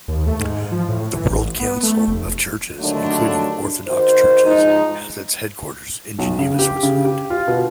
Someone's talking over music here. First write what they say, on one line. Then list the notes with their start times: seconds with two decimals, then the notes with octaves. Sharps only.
The World Council of Churches, including Orthodox Churches, has its headquarters in Geneva, Switzerland.
0.08 D#2
0.27 A3
0.40 G#2
0.72 F3
0.89 A2
1.12 E3
1.30 A1
1.60 B3
1.83 A3
2.08 F1
2.80 D#2 D3 F#3 A3 D4
3.87 D#3 F#4 C5
4.44 G#2 F3 D#4
6.19 B1
6.39 C#3
6.59 G4
6.83 C#3
7.05 G4
7.30 F4
7.48 B2